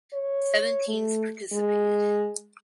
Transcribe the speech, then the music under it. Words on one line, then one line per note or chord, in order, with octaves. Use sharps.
Seven teams participated.
C#5
A3
G#3